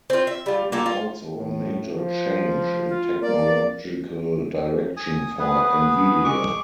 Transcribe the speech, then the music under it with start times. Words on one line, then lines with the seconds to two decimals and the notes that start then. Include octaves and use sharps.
It was also a major change in technological direction for Nvidia.
0.10 C4 F4
0.27 E5
0.46 G3 F4
0.72 A#3 F4 A4
0.86 F4
1.36 A2
1.95 F3
2.89 F4
3.22 A#3 D5
4.97 G#5 D#6
5.39 B3 G#4 B4
6.24 G#3 C#6 D6